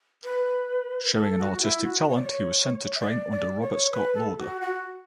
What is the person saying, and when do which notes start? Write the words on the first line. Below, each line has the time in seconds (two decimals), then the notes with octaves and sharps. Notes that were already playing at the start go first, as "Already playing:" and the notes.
Showing an artistic talent he was sent to train under Robert Scott Lauder.
0.24 B4
1.15 A4
1.39 F#4
1.55 F#4
1.61 E4
1.84 F#4
2.08 C#5
2.15 D5
2.23 C#5
2.95 E5
3.00 D5
3.31 D5
3.62 C#5
3.92 B4
4.15 A4
4.38 F#4
4.61 F#4